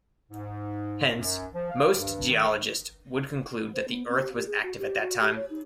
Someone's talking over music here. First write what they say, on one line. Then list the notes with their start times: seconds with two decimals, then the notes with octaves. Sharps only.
Hence, most geologists would conclude that the Earth was active at that time.
0.30 G#2
1.17 F#2
1.54 F3
1.70 F5
1.98 G2
2.29 D#3
3.74 C5
3.88 B3
4.08 C4
4.21 G4
4.35 G4
4.47 G#4
4.63 F#4
4.78 G4
5.01 F#4
5.20 G4
5.36 C#5
5.50 D#4